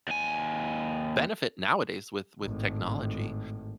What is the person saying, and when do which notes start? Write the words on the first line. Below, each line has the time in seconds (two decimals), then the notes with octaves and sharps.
benefit, nowadays, with with technology,
0.08 D#2 G#5
2.43 G#1 A2